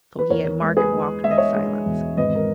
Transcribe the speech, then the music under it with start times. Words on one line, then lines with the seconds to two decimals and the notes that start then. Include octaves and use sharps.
So he and Margaret walked in silence.
0.19 B4
0.30 E2 A#4 C#5
0.61 G#3
0.77 G#4 B4
0.93 G#3
1.23 G#3 E5
1.31 D#5
1.37 C#5 E5
1.54 G#3
1.86 E1
2.17 G#1 B4 D#5
2.35 A#4